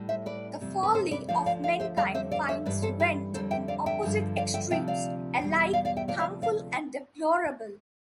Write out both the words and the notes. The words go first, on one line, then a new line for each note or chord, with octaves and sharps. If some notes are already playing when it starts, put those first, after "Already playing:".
The folly of mankind finds vent in opposite extremes alike harmful and deplorable.
Already playing: A2 G3
C5 E5
B4 D5
F2 C3 G3
B4
A4 C5
B4 D5
D2 D3 F3 D5 F5
D5 F5
D5 F5
C5 E5
F2 D3 G3 D5 F5
C5 E5
D5 F5
C5 E5
G2 E3 G3 B4 D5
A4 C5
G4 B4
F2 D3 G3 A4 C5
E5 G5
D5 F5
E5 G5
G2 D3 F3
D5 F5
E5 G5
D2 C3 F3 E5 G5
D5 F5
E2 B2 G3
D5 F5
D5 F5
E5 G5
D2 C3 F3 D5 F5
D5 F5
D5 F5